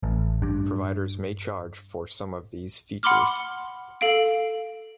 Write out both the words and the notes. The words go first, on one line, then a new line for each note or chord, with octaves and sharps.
Providers may charge for some of these features.
A1
G2
F#5 B5 C6 D6 F6
A4 F5 D7